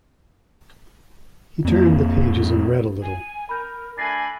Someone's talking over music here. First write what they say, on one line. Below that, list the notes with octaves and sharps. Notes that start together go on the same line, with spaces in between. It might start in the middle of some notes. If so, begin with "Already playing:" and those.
He turned the pages and read a little.
F2 A#3
G#5
A#4 B5 G6
A3 D4 G#5 B5 A6 A#6 C7